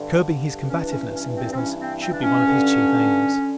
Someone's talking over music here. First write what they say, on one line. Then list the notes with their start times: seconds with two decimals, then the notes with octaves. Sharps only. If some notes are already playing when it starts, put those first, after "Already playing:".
Curbing his combativeness in business should be one of his chief aims.
Already playing: G2 D3
0.68 G2 E3 C#4
0.82 D4
0.91 C#4
1.13 C#4
1.35 C4
1.52 C4
1.56 G2 E3 C#4
1.79 C4
2.01 C4
2.13 D4
2.23 C#4
2.45 G2 D3
3.34 D3